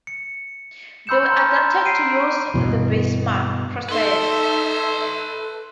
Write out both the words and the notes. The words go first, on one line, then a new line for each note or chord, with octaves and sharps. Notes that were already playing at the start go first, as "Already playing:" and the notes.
They were adapted to use the Bessemer process.
C#7
B5 C6 E6 G6 C#7 E7
A#5 C6 F6
B6 C7 D7 D#7
G2 B2 E3
D#4 A4 B4 E5 C6